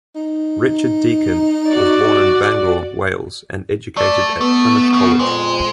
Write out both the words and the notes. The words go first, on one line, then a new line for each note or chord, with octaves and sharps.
Richard Deacon was born in Bangor, Wales, and educated at Plymouth College.
D#4
F#4 D5
A3 D5
A3 B3
C#3
F2 A#2 G#3